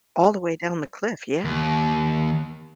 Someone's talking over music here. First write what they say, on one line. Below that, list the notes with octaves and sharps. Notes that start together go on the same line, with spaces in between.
All the way down the cliff, yeah.
D#2